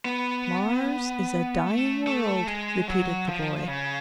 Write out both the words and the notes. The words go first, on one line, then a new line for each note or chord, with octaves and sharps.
"Mars is a dying world," repeated the boy.
B3
A3
A3
G#3
F#3
F3
C#3